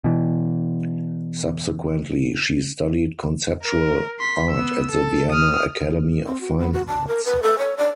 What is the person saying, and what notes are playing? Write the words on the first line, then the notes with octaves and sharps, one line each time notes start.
Subsequently, she studied conceptual art at the Vienna Academy of Fine Arts.
B2 E3
A#4
C6 B6
B3 E6
A4
D#6 F6
C4
F#4
B3
F#4
A5
A#4
B4
A4
C#5
D5